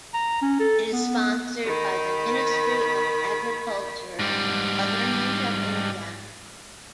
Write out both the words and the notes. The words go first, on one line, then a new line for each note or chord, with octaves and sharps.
It is sponsored by the Ministry of Agriculture, Government of India.
A#5
C#4
A4
B3
D#3 B5
G#2 G3